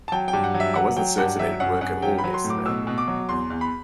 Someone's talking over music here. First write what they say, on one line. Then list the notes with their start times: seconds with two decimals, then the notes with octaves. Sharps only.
I wasn't certain it'd work at all yesterday.
0.08 A5
0.12 F#3 G5
0.28 G5
0.33 G2
0.44 F#5
0.54 F#3
0.60 E5
0.76 F#3 F#5
0.96 F#3 G5
1.18 G2 F#5
1.39 F#3 E5
1.60 F#2 F#5
1.81 F#2 F#5
2.02 F#3 G5
2.18 B5
2.24 F#3
2.34 C6
2.45 A2
2.50 D6
2.66 B2 E6
2.87 B2
2.98 D6
3.08 F#3
3.29 E2 C6
3.50 E2
3.61 B5